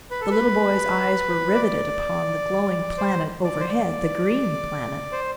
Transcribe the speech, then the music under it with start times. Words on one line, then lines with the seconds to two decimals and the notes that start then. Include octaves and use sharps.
The little boy's eyes were riveted upon the glowing planet overhead, the green planet.
0.11 B4
0.21 A4
0.31 B4
1.54 D5
2.98 C5
3.44 D5
3.60 C5
3.69 D5
5.12 C5